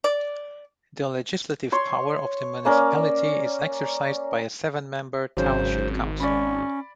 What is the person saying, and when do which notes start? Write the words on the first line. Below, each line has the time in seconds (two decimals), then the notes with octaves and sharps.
The legislative power of the municipality is exercised by a seven-member Township Council.
0.04 D5
1.72 C#5 C6
2.65 A#3 C#4 A#4 D5
5.37 G#1 C#3 F#3 C5
6.20 C#4 D5 B5